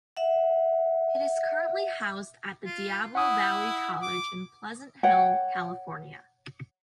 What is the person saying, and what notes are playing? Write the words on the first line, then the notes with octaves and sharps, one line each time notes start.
It is currently housed at Diablo Valley College in Pleasant Hill, California.
E5 F#5
F4
E4 F#5 D#6
D6
C#5 F#5 G5